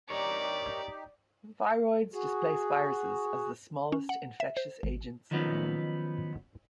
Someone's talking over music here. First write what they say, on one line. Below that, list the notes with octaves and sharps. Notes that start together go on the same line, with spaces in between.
Viroids displace viruses as the smallest infectious agents known.
D#4 G4 A#4 C#5 D5
F#4 G#4
C#4
F#5
E5
C5
G#1
D#3 F3 F#3 B3 C#4 D#4